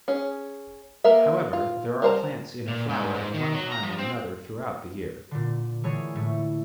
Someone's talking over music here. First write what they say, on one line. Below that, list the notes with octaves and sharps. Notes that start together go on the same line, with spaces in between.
However, there are plants in flower at one time or another throughout the year.
C#4 G#4
A#3 A#4 E5
F4
G3 A#4 C5 A5 A#5
A#2
G#2
G#2
D#3
F#3
A#5
F3
C4
A#2 D3
D3 E3 A3 G#4 C#5
A2 A3